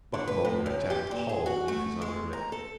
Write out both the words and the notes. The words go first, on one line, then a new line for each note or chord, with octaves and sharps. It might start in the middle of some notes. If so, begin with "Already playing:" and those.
Buck Mulligan attacked the hollow beneath his underlip.
D3
B4
A2
F#2
G4
A#2
G#4
F#4
A3
G#3
A#5
A4